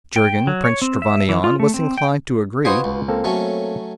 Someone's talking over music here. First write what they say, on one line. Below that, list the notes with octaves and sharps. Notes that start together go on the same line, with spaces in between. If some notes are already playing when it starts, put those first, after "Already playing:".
Jurgen, Prince Trevannion was inclined to agree.
G5
F#3
C#5
C4
E5
E3
F4
A3
C4
G5
F4 F#4 B4 C5 D#5 G#5
C#2
A#3 C4 A4
F#3 A3 C#4